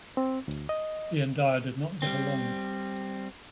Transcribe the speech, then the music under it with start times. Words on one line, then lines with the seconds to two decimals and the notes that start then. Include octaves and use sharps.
He and Dyer did not get along.
0.17 C4
0.48 D2
0.69 D#5
2.02 G3 C4